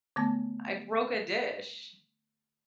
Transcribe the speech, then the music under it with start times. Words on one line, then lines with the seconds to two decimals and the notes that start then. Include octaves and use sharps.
I broke a dish.
0.16 D3 A3 B3 A5